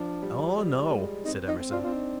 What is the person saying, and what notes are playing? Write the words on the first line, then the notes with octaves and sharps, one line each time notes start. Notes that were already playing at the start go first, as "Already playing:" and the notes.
"Oh no," said Emerson.
Already playing: F3 D4
G3
G3
G3
G#3
C4 D#4
D#4
C4
D4 F4
C4 F4
D#4